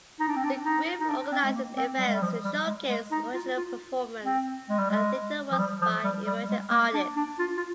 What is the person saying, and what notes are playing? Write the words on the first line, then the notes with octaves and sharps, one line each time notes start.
The group organizes events to showcase original performance and theatre works by emerging artists.
D#4
D4
C4
D4
D#4
D#4
D4
C4
G#3
A#3
C4
G3
G#3
G3
F3
G3
G#3
G#3
D#4
F4
F4
C4
G#3
G3
G#3
F3
G3
F3
G3
G3
G3
G#3
A#3
D4
D4
F4
F4